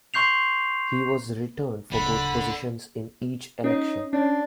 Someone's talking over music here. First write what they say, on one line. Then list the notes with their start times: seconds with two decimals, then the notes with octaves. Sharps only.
He was returned for both positions in each election.
0.14 C6 C#6 G6 C7 F7
1.91 D1 C#2 D3 B5
3.64 C#4 D#4
4.13 C#4 D4